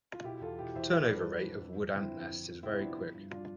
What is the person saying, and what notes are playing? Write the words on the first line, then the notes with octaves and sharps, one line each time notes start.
Turnover rate of wood ant nests is very quick.
F4
B2 E4 G4
E2 F4 A4
B2 E4 G4
E2 C5 E5
C5
F3 G4 B4
B4 D5
G2
A4 C5
F3
G2
F2
F2
D3 C4 E4
F3
F2
F2
C3 C4 E4
F3 B3 D4
F3
G2
F3 D4 F4